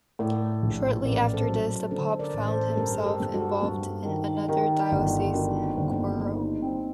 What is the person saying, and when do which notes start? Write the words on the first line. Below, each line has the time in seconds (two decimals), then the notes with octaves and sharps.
Shortly after this, the pope found himself involved in another diocesan quarrel.
0.19 A2 A#4 D5
0.62 A#1
1.05 A1 A#4 D5
1.34 A4 C5
1.49 F#3
1.91 D3 A4 C5
2.19 A#4 D5
2.33 A1
2.48 A4 C5
2.70 A4
2.77 G2 G4 A#4
2.98 A4
3.06 G4 A#4
3.20 G2
3.34 F#4 A4
3.63 G2
4.05 D#3
4.48 D#3 D#4 G4
4.91 G1
5.34 D#3 D4 F#4
5.63 C4 D#4
5.77 G1
5.91 A#3 D4
6.20 G3 D#4
6.62 C4